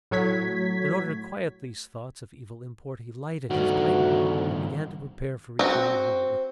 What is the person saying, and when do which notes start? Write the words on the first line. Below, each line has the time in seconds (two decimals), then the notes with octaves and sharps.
In order to quiet these thoughts of evil import, he lighted his pipe and began to prepare for returning home.
0.11 A2 F#3 C#5 G#6 B6
3.50 D2 G2 D#3 F#4
5.59 C4 F#4